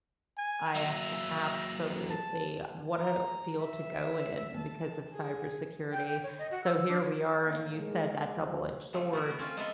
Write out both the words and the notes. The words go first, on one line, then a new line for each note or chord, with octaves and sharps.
I, uh, c absolutely. What a field to go in because of cybersecurity. So here we are, and you said that double-edged sword,
G#5
F#3 A#3 E5
A5
A#5
E5
A5
G#4
G5
G5
C#5
D#5
F#4
E6
D4
C#5
A2 A#3
G#3
F3
C#3 F3 G3 A3
A3 B3 F#4 A#4
B3 F#4
C4 C#4 F4
G#3 B3 A4 D#5 E5 A#5